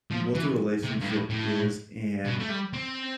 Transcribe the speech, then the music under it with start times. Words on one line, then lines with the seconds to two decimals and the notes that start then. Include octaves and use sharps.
what the relationship is and,
0.11 F3
0.35 E3
0.83 C3
1.01 G2
1.07 A2
1.30 A2
2.26 B2
2.40 A3
2.50 G3
2.74 C4